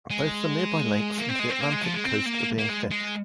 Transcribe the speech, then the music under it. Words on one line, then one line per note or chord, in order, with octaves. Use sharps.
Both the nearby lakes and the Atlantic coast are being fished.
G#3
A#3
C4
G#3
C4
A#3
G#3
F3
G#3
C4
A#3
A#3
G#3
G#3